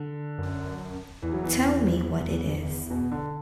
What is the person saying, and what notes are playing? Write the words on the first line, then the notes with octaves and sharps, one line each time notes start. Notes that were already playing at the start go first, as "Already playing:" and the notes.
Tell me what it is.
Already playing: D3
F#2
E2 E3
F#3
E3
B2
D3